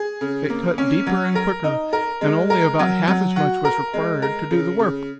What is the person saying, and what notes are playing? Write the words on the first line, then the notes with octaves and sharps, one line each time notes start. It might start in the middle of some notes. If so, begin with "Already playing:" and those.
It cut deeper and quicker, and only about half as much was required to do the work.
Already playing: G#4
C#3
A#3
C#4
F#3
A#4
D#4
A#4
G#3
A#4
F#3
F#3
F#4
A#4
G#3
A#4
C#3
C#3